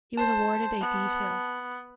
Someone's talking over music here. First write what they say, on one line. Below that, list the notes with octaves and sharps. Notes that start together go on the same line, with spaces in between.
He was awarded a D. Phil.
C5 A5
B3